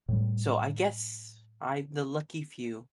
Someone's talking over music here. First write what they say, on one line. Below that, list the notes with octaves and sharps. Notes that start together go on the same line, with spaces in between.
So I guess I'm the lucky few.
A2 G3